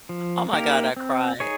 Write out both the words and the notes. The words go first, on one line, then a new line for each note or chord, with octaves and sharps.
oh my god, I cried.
F3
A#3 D#4 G4 A#4
C4
D#4 G#4 C#5